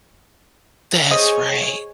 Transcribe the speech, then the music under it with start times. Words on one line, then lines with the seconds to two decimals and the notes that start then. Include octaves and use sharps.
That's right.
1.11 G#4 C5 C#5 D#5 D#6